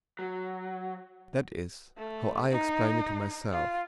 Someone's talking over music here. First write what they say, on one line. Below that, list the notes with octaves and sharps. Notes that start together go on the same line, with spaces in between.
That is how I explain it to myself.
F#3
A3
D#4
F4